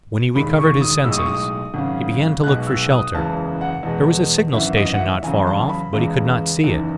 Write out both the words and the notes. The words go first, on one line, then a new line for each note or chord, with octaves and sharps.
When he recovered his senses he began to look for shelter; there was a signal station not far off, but he could not see it.
E1 D#2 D#3 G#3 B5
C#6
D#6
B1 A2 G#3 E6
D#6
C#6
D#6
G#1 F#2 C#3
B1 B2 G#3 F#6
E6
D#6
F#1 E2 C#3 E3 G#3 A5
F#5
E2 B2 G#3
G#1 F#2 E3 E5
D#5
F#5
E5
E2 C#3 F#3 G#5
A5
B5
E2 C#3 E3 G#3
F#1 E2 D#3